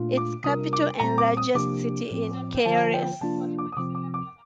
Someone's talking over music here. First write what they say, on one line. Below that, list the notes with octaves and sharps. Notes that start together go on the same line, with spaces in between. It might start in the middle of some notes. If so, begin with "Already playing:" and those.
Its capital and largest city is Kielce.
Already playing: A#2 A3 D4 F4
D6
C3 G3 D4 F4 A#4 D#6
D6
A#2 G3 C4 A#5
D6
D#6
C3 F3 A#3 D4 G4 D6
A2 F3 C4
D3 F3 A#3 F4 C5 A5
G5
C3 F3 A#3 D4 F4 A5
D6
D#6
C3 F3 C4 D6
D6
D6